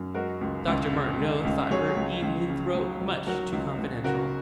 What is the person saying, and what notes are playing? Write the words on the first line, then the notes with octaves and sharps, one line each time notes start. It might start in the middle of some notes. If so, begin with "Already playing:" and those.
Dr. Martineau thought her evening throat much too confidential.
Already playing: F#2
G#3 F#4 A#4
C#2
C#2
C#3
G#3
C#2
F#3 G#4 C#5
C#2
C#2
C#3
F#3
C#2
F#3 F#4 A#4
C#2
C#2
C#3 F#4 A#4